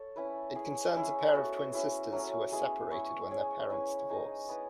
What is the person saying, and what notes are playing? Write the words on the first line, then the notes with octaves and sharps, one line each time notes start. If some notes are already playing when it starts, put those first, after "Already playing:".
It concerns a pair of twin sisters who are separated, when their parents divorce.
Already playing: A4 C#5
C#4 E4 B4
C#4 E4 G#4
G#3 C#4 E4 G#4
B3 F#4 A4
C#4 E4 G#4
F#3 A3 C#4
G#3 B3 E4 G#4
B3 E4 G#4 C#5
C#4 G#4 C#5
C#4 E4 B4
D#4 G#4 D#5
B3 E4 B4